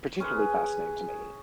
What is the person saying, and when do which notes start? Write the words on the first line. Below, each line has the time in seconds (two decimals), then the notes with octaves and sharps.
particularly fascinating to me.
0.20 C#4 G#4 B4